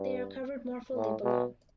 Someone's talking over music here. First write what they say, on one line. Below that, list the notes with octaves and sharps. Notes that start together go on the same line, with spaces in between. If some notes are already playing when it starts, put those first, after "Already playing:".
They are covered more fully below.
Already playing: G2
A2
B2